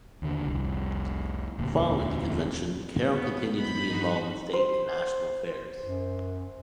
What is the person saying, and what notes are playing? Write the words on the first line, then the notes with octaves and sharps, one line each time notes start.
Following the Convention, Carroll continued to be involved in state and national affairs.
D#2 D3
F1 C2
E1 D2 A#2
B3
F#2 B3 C4 D#4 B5 G6
G2 D#3 D#4 F#4
C5
F#2